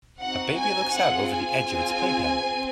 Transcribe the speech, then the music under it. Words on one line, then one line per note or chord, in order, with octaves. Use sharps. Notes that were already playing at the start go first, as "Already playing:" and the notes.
A baby looks out over the edge of its playpen.
C4 D#4 F#4 F#5
G#5
C4 F4 G#4 F#5
G#5
C4 F4 G#4
C4